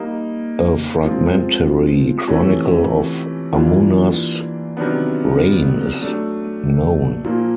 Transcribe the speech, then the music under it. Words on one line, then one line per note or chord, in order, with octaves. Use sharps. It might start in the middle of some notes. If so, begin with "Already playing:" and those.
A fragmentary chronicle of Ammuna's reign is known.
Already playing: G3 A#3 D#4
F3 G#3 C4 F4
C3 E3 A3 C#4
E3 G3 A#3 D4 F4
C3 D#3 F#3 B3 D4
F#3 A3 D4
A#2 F3 A#3